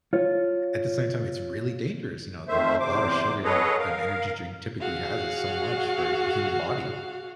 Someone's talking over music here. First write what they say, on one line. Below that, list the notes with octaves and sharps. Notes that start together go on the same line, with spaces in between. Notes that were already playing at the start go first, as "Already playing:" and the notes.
at the same time, it's really dangerous, you know, though a lot of sugar that an an energy drink typically has is so much for a human body.
F4 C#5
F2 D#3 A3 C5 E5
E2 C3 C5 D6
G#4 A4 B4 C#5 D#5 F#5
A#4 F5
F#4 G#4 F5 F#5